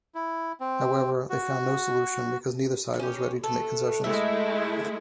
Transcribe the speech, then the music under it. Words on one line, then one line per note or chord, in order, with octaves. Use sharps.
However, they found no solution, because neither side was ready to make concessions.
E4
C4
F#4
C#4 G4
A3 B3 A4
G#3 A3 E4 E5